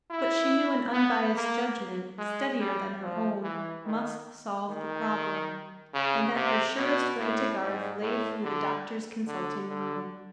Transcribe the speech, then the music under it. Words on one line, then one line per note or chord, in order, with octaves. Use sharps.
But she knew an unbiased judgment, steadier than her own, must solve the problem; and that her surest way to Garth lay through the doctor's consulting-room.
E4
B3
A#3
G#3
G3
F3
E3
D#3
D#3
C#3
C3
B2
A2
G#2
A2
D3
D3
D3